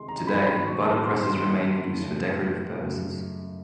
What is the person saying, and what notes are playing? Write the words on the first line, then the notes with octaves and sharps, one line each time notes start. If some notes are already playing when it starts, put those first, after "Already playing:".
Today, butter presses remain in use for decorative purposes.
Already playing: C3 D#3 G#3 C6
A#5
B5
G#2 D#3 F#3 A#3 B5
C#6
A5
C6
G#2 D#3 F#3 A#3 C6
F#2 C#3 F#3 A3
F#2 C#3 F#3 A3